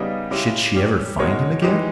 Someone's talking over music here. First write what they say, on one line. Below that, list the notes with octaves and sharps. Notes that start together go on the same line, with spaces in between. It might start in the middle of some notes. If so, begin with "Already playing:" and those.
Should she ever find him again?
Already playing: C#3 G3 B3 D#4
C#3 G#3 C#4 E4 G4
G3 C#4 G4
B2 G#3 D#4 A#4 C#5
E3 G#3 D#4 G4